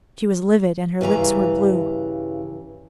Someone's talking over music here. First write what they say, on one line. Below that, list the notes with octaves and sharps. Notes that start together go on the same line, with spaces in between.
She was livid and her lips were blue.
G2 C#3 E3 A#5